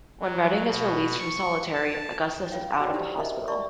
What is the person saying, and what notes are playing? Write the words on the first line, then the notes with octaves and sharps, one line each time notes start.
When Redding is released from solitary, Augustus is out of the hospital.
F#3
B2
C#6
A5
F4 B4 C#5 F5 G5
F#4 D5 G5 B5
D#4 E4 G4 C5
A#4 D#5 E5
A#4 D5 E5 A5 C#6